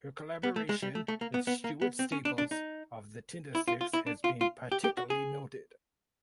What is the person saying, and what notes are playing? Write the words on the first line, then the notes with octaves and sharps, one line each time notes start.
Her collaboration with Stuart Staples of the Tindersticks has been particularly noted.
B3
A3
G#3
G3
A3
A3
A#3
B3
B3
A#3
B3
C4
C#4
D4
D4
D#4
E4
F4
F4
E4
D4
F4
F4
G4
G4
F#4
G#4